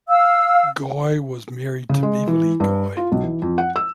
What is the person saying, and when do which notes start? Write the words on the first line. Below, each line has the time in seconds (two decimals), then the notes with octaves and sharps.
Guy was married to Beverly Guy.
0.08 F5 E6
1.89 C#3
2.03 G#3
2.28 E3
2.60 G2
2.97 F4
3.12 B1
3.24 E3
3.42 F2
3.58 F#5
3.76 E6